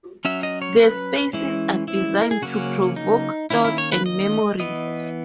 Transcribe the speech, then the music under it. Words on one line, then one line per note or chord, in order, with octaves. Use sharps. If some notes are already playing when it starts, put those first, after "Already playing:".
The spaces are designed to provoke thoughts and memories.
F#3 C#4 E5
D#5
C#5
B4
E3 G#3 C#4 E4
E4
A#4
G#4
C#3 F#3 A#3 C#4 F#4
D#4
D#3 A#3 C#4 E4
E4
C#5
B4
D#5
E3 B3 D#5